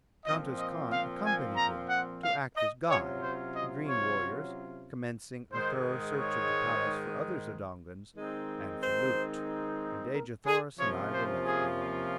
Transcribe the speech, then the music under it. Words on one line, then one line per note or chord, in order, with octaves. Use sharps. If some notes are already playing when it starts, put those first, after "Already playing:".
Kantos Kan accompanied him to act as guide, the green warriors commencing a thorough search of the palace for other Zodangans and for loot, and Dejah Thoris and I were left alone.
A#2 F3 C4 F4 D#5
D#5
F5
G#5
A#5
F#5
F5
D#5
C3 F#3 C#4 F4 C#5
C5
D#5
C#5
G#2 D#3 G#3 C5
C#5
D#3 G#3 C4 D#4
C5
A#4
G#4
C3 F3 A#3 C#4 F4 C#5
C5
G#4